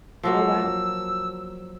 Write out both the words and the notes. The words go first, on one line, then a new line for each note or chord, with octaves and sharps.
Oh, wow.
F3 F#3 A#3 E6